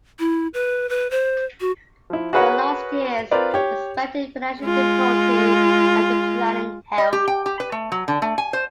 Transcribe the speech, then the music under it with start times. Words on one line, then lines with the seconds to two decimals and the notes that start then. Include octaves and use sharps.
Her last years were spent in financial difficulty and declining health.
0.19 E4
0.54 B4
0.89 B4
1.11 C5
1.60 F#4
2.10 F3 E4
2.33 F#4 G#4 A#4 B4 C#5 F#5
3.31 C4 F4 A#4 B4 D5
3.54 G4 C#5
4.62 G#3 F4
6.98 D#5
7.13 G4
7.28 G5
7.46 G4
7.60 B4
7.72 A3
7.92 F#3
8.08 D3
8.22 A3
8.38 G#5
8.53 C5